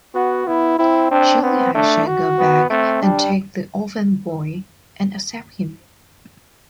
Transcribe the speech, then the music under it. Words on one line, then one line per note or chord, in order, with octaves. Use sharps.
Surely I shall go back and take the orphan boy and accept him.
B3 F#4
B3 E4
C4 E4
C4 D4
B3 C4
A3 D4
F#4
B3
A3 C4
G3 D4